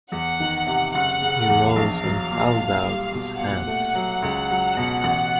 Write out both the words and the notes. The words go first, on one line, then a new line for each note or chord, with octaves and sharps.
He rose and held out his hands.
E2 F#5
D#3
C3
F#1 F#5
C#3
E2
A#1 F5
F#3
A#2
B1
G3
B2
A#2 F#5
A3
F#3
C#2
F#3
B2
A1